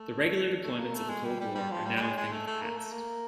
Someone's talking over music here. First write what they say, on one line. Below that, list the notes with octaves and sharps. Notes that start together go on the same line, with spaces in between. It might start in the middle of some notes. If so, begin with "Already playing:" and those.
The regular deployments of the Cold War are now a thing of the past.
Already playing: A3
A3
A#3
A3
G#3
G3
G3
G3
F3
G3
G3
G#3
G#3
A3
A3
A#3
A3
A#3